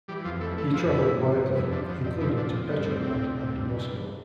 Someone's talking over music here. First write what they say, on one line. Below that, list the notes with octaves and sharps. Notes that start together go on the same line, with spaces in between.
He travelled widely, including to Petrograd and Moscow.
E3 G3 G4
F2 F3 F4
E3 A3 A4
E3 A3 A4
F2 F3 F4
D3 E3 E4
G2
F3
G2
F2 E3 E4
D3 F3 D4
F2 B3
F2 C4
E3 F3 E4
D3 F3 D4
F3 C4
G2 B3
D2 C4
C3
D2
C3
G2
E3
G2